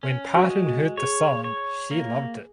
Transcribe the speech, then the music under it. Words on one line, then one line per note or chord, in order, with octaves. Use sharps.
When Parton heard the song she loved it.
C#4
F#4
G#3
F#4
G#4 C#5
C#5
A#3